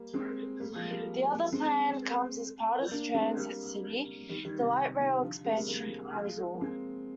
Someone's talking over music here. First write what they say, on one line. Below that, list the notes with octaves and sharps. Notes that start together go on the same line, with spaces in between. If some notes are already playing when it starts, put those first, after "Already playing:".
The other plan comes as part of Transit City, the Light Rail expansion proposal.
Already playing: G3 A#3
G#3 C4
G3 A#3
F3 G#3
G3 A#3
G#3 C4
A#3 D4
G#3 C4
G3 A#3
D#3 G3
D#3 G3
C3 D#3
C3 D#3
D3 F3
G#3 C4
G3 A#3
G3 A#3
F3 G#3
A#3
G#3 C4